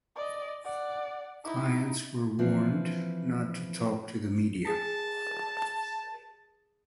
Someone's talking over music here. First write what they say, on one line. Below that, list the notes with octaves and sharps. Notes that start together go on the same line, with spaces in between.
Clients were warned not to talk to the media.
D5 D#5
D5 F#5
D#4 E4
E3 F3 C4
G#4 A5